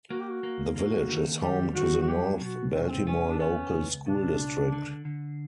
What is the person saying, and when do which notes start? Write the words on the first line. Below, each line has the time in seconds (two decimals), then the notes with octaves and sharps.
The village is home to the North Baltimore Local School District.
0.10 A#3 F#4
0.20 G4
0.29 F#4
0.43 A#3
0.76 A#3 F#4
1.09 D#3
1.42 G3 G4
1.75 D#3 F#4
2.02 F#4
2.08 F#3 G4
2.41 B2 F#4
2.74 C2 C4
2.82 C#4
2.91 C4
3.07 B3 C#4
3.31 D4
3.40 B3 C#4
3.73 C#2
4.06 B2 D4
4.39 C#2
4.72 D3
5.05 D3